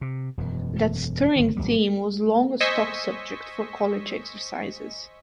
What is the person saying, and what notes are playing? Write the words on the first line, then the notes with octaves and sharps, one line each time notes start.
That stirring theme was long a stock subject for College exercises.
C3
E1 F#2
G1 D#3
G#1 C#2 F#3 G3
C5 D#5 G#5 C#6 E6 B6